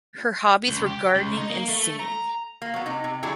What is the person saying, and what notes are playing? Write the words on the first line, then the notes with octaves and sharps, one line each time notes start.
Her hobbies were gardening and singing.
C#2
G4
C#2
D#4
A#3
A3
A#5
A#3
F#3 B3
C3 D#4
C3
D3 F#3 G3 E4 G#4 A4